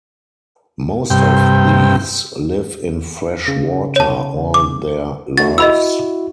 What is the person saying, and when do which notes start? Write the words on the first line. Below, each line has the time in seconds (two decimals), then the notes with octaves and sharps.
Most of these live in fresh water all their lives.
1.10 G2 C3 G5
3.48 C#3
3.96 C#5 A5
4.54 D6
5.38 A3 D4 F#4 A6
5.58 E4 F#4 D#5 B5 E6